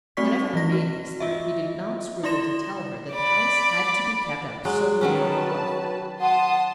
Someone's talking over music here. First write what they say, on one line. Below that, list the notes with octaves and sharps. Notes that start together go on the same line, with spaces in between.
Whenever he made this threat he did not scruple to tell her that the house had to be kept up solely for her welfare.
A3 C4 F#4 D5 C#6 B6
E3 A#6
F#4
F4 D#5 E5
E4 D5 C6 A#6 E7
D5 B5
F#3 G#3
D#3 F#3 C#4 B4 A5
F#4
F#5 A5 C6 D#6